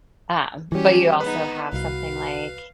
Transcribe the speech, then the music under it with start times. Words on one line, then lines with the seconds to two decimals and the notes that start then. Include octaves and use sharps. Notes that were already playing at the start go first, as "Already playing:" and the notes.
um, but you also have something like
0.72 E3 G3 C#4 F#4 G4
1.20 G#2 C3 B3 D#4 G#4 B4
1.73 C2 F#4 F5